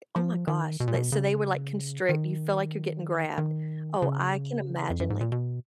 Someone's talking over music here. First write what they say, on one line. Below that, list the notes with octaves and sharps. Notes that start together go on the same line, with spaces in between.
oh my gosh, like, so they would, like, constrict You feel like you're getting grabbed. Oh, I can imagine, like
F3
D#3
B2
A#2
B2
C#3
D#3
D#3
C#3
F2
F#2
G#2
A#2
B2